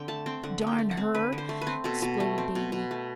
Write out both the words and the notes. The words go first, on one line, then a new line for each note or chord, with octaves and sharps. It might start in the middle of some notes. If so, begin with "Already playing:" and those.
"Darn her," exploded Davy.
Already playing: D3 C4 G5
A3 A5
C4 G5
D3 F#5
D3
G5
A3
F#5
C4
D3 B4
D3
C5
A3
B4
C4
B2 A4
B2
A3
C4
B2
B2
A3